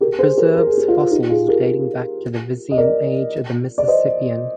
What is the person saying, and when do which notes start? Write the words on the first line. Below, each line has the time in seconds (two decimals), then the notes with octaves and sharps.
It preserves fossils dating back to the Visean Age of the Mississippian.
0.01 G4 A#4
0.19 G#4 C5
0.37 G4 A#4
0.56 A#4
0.67 G#4
0.78 G4
0.88 F4 G#4
1.11 D#4 G4
1.29 F4 G#4
1.48 G4 A#4
2.71 D#5
2.77 A#4 D5
3.78 D5
3.88 C5 D#5